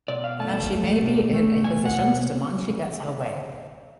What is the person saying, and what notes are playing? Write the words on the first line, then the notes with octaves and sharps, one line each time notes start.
Now she may be in a position to demand she gets her way.
B2 D5
F5
A3 A5
A3
B2
A3
B2 G#5
F#5
B2